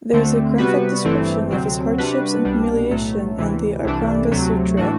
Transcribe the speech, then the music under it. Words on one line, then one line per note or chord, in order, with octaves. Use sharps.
There is a graphic description of his hardships and humiliation in the "Acharanga Sutra".
D2 D3 A3 C4
C3 G3 B3 F#4 B4
G1 G2 E3 A3 C4
D2 C3 F#3 C4
C3 G3 D4 F#4 B4
C2 B2 G3 D4
B1 A2 F#3 A3
D2 C3 E3
C2 C3 E3 A3 D4
D2 C3 F#3 A3
A2 E3 A3 D4 F#4